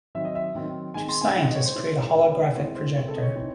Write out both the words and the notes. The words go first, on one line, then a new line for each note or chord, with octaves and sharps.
Two scientists create a holographic projector.
D#3 F#3 C4 E5
D#5
E5
D#3 F#3 C4
D#3 G#3 C4 D#4 G#5
C6
G#5
D#3 G#3 C4 D#4 F#5
D#5
C#5
C5
E3 G#3 C#4 E4
E3 G#3 C#4 E4
E3 G#3 C4 E4 C#5
C5
E3 G#3 C4 E4 C#5
A4
D#5
C#5
E3 C4 D#4